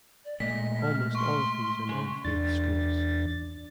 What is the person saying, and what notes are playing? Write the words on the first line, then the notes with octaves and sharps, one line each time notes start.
Almost all of these are non-faith schools.
D5
A#2 G#3 A3 D#5 B6
F6
C6 C#6
C#3 G#3
E2 D4 A6